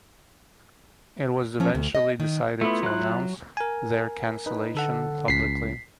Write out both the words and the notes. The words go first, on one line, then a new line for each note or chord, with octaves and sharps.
It was eventually decided to announce their cancellation publicly.
F3 C#4
D2
D#5
D#3
A3 B3 E4 F4
F#3 F#6
A#4 G#5
D#4 B4
D3 A4 F#5
C#2 B6 C7